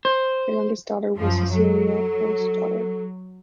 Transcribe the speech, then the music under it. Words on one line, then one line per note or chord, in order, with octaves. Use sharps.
Her youngest daughter was Cecilia Ulvsdotter.
C5
F#2 F3
F#3 A4